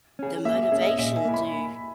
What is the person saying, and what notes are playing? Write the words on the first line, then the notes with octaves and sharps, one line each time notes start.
the motivation to
C#4 G#4
A#3 E5
E5
C#4 G#4
D#5
D#5
A#2 E5
G#5
A#3 E4
B5